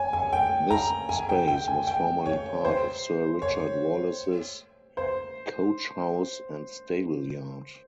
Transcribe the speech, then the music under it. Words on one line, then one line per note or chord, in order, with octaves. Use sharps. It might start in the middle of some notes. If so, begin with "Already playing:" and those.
This space was formerly part of Sir Richard Wallace's coach house and stable yard.
Already playing: C#5 G#5
G#5
G5
A#5
G#5
G5
G5
G#5
G5
C#5
C5
C#5
C5